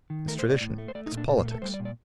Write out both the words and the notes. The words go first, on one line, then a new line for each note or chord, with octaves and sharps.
It's tradition--it's politics.
D#3
A3 A#4
C5
A2
D5
A2
A3
C5
A3 D5
D#4
A#2
D4
A#2 D4
A#3
A3
A4
G3 C5
D5
A#2
D5